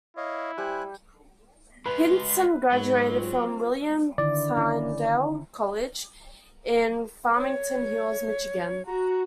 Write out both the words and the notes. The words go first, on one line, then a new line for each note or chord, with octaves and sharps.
Hindson graduated from William Tyndale College in Farmington Hills, Michigan.
E4 C#5 D#5 F5
G3 G4 C5 G#5 F#6
G#3 F4 B4
G#2 F#3
C4 F4
D3 D#3 E4 D5
C#4 E4
C#5
F#4 A#5